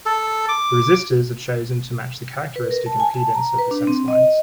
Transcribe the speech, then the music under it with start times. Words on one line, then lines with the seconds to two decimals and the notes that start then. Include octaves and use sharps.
The resistors are chosen to match the characteristic impedance of the sense lines.
0.06 A4
0.49 D6
2.56 B4
2.71 A#4
2.86 A5
3.00 G#5
3.14 A5
3.35 A#5
3.58 B4
3.71 D4
3.87 C4
4.08 D#5